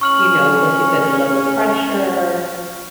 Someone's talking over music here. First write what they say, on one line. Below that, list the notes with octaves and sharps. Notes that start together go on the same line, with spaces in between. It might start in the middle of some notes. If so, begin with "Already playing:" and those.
you know, like you said, low pressure,
A2 C#4 C#6 F6 F#7